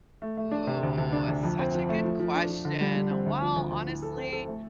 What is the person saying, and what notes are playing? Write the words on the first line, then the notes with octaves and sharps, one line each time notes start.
Ooh, such a good question. Well, honestly,
A3
A3
D4
C3
D2
D2
D4
D2
F2
C4
F3
A3
F3
F3
D4
F3
D3
G3
G3
C4
D2
F3
D2
D2
A2
A4
C4
A4
A3